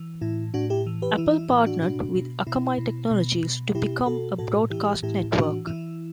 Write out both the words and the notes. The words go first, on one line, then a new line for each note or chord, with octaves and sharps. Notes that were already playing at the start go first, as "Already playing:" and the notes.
Apple partnered with Akamai Technologies to become a broadcast network.
Already playing: E3
A2 E4
A2 D4 F#4
E4 G4
E3
G4 B4
E3 E4
E4
A2 E4
D4 F#4
B2 D4 F#4
B2
B2 E4
B2
B2
B2
B2 E4 G4
B2 F#4 A4
A2 F#4 A4
E3 E4 G4
A2 E4 G4
E3 D4 F#4
E3 E4